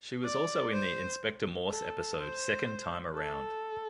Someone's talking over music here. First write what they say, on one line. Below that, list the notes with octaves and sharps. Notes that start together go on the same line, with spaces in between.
She was also in the "Inspector Morse" episode "Second Time Around".
D5
C5
A4
C5
A4